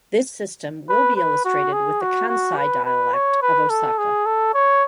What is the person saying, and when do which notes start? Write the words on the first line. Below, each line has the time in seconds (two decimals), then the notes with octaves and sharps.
This system will be illustrated with the Kansai dialect of Osaka.
0.89 B4
1.16 B4
1.45 F#4
1.73 G#4
2.01 F#4
2.29 F#4
2.57 B4
2.85 B4
3.14 C#5
3.42 B4
3.70 A4
3.98 G#4
4.26 A4
4.54 C#5